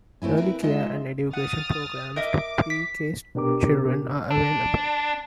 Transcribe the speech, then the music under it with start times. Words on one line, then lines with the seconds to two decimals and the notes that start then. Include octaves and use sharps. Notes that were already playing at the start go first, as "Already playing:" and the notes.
Early care and education programs for pre-k children are available.
0.22 A3 C4 E4 G#5
0.37 C4 E4 A#4 B4
0.62 G#3 D#4 F4 D#5 E5
1.33 F#5 D#6 F6 A6
2.16 A#4 D#5 E5 D6
2.70 B6
3.35 B2 B3 D4 G4 A#4 D6
4.31 D4